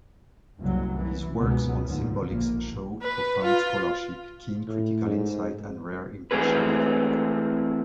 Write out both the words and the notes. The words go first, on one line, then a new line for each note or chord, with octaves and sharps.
His works on symbolics show profound scholarship, keen critical insight, and rare impartiality.
F#1 C2 F#3
E3
C#2 G#2 B2 F#3 G#3 B3
D#2 G#2 D3 F3
A#1 A#3
B4
F4
A2
G#2
E3 A3 C4 G#4 B4